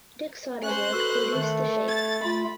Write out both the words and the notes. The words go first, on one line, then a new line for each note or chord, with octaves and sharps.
Dick Soderberg produced the shape.
C#4 C5 F#6
F#4 A4 B4
D#3 A3
G#6 A6
A3 F4 B5